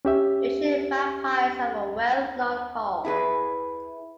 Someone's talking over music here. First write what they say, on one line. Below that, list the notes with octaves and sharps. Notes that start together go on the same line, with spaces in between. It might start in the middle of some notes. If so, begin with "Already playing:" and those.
Eurasian magpies have a well-known call.
C#4 G4 E5
E4 G#4 B4